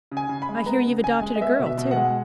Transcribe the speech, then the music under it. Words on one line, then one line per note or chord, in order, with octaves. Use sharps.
I hear you've adopted a girl, too.
C#3
G#5
C#3
B5
G#3
B3 A#5
C#3
C#3 G#5
G#3
D#5
B3 E5
B2
E5
B2
F#5
G#3